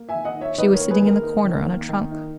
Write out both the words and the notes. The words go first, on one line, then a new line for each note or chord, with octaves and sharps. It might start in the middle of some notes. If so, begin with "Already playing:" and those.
She was sitting in the corner, on a trunk.
Already playing: A#3
E5 G#5
D#3
D#5 F#5
D#4
C#5 E5
D#3 B4 D#5
A#4 C#5
A#3
G#4 B4
D#3
A#4
D#4
D#3
A#3
D#3
D#4